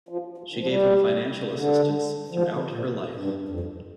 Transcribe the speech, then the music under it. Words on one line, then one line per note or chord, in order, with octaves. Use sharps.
She gave him financial assistance throughout her life.
F3
F3
D#3
F3
G3
C3
D3
F3
D#3
D3
C3
A#2
G#2
G2
F2
G2